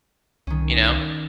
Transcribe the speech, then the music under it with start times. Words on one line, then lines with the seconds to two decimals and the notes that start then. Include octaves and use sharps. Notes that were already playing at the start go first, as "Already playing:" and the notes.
you know?
0.47 C2 D#3 C#4